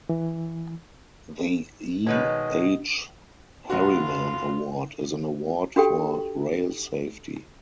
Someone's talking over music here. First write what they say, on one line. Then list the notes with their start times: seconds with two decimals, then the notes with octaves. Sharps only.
The E. H. Harriman Award is an award for rail safety.
0.09 E3
2.07 B2 D#3 G#3 B4 C#5 D#5
3.70 F1 F4 F#4
5.76 D4 F#4 G4 A4 G5